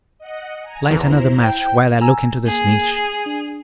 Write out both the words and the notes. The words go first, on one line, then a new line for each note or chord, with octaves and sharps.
Light another match while I look into this niche.
D#5 F#5
G#5 A#5
E2 E4 C5 A#5
G5
G#5 A#5 E6
A#3 G#4
D4